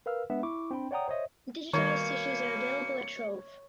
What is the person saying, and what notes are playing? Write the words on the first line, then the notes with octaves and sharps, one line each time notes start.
Digitised issues are available at Trove.
A#4 B4 F5 E6 F6
G#3 B3 D4 E5
E4 C#6 D6
C4 D4 G5 B5
C#5 D5 F#5 G5 A#5 D#6
C5 C#5 D#5 E5
B2 D#3 G3 A#3 C#5 C#7